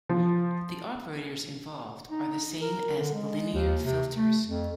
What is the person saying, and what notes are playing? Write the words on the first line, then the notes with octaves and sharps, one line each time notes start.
The operators involved are the same as linear filters.
F3
D#4
A#4
D3
G#3
D#2
C3
A3
F2